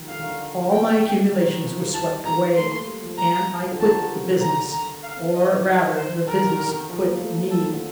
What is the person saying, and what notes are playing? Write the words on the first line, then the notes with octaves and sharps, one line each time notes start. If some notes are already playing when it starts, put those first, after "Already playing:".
All my accumulations were swept away, and I quit the business--or, rather, the business quit me.
Already playing: D#3 F3 G3
D3 F5
D#3
D3
G5
D#3
D#3
F3
G3
A5
A#5
A3 C6
A#3
G3
F3
D#3 A#5
F3
D3
D#3 A5
G3
F3
D#3 A#5
D3
D#3 A#5
F5
D#5
D#5
C5
D3 A#4
D#3
D#3
F3
A#3
A3
F3
F3 A4
D#3
D3